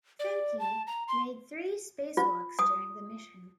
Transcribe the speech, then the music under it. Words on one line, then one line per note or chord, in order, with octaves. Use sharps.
Fincke made three spacewalks during the mission.
D5
A5
A#5
C6
F4
D#6